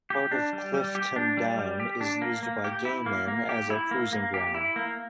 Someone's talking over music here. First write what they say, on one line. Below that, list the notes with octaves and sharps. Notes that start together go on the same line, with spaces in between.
Part of Clifton Down is used by gay men as a cruising ground.
G4
D4
G3
G3
G4
D4
G3
G3
G4
D4
A#3
A#3
G4
E4
A#3
A#3
G4
E4
A#3
A#3
G4
E4
A#3